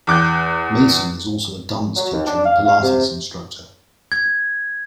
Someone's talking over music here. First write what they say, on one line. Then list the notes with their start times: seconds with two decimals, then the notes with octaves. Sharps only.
Mason is also a dance teacher and Pilates instructor.
0.07 E2 D6 F#6 G6
1.96 F#3
2.13 D#2
2.27 D4
2.46 F5
2.66 F5
2.83 C3
4.12 G#6